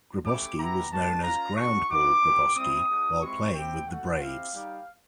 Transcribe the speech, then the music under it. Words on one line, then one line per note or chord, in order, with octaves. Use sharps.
Gryboski was known as "Groundball" Gryboski while playing with the Braves.
A3 C#4 E4 G4 D6
B3 E4 G4 A#5
G#3 B3 D4 F#4 A5
A#3 C#4 F4 A#5
A3 D4 F#4 C#6
B3 D#4 F#4 D6
B3 D4 G4
G3 C4 E4 D#6
A3 D4 F#4
G#3 C4 E4 G4 C#6
C4 E4 G4 G5
A3 C#4 F#4 F#5
C4 E4 G4 F5
G3 A#3 D#4 G4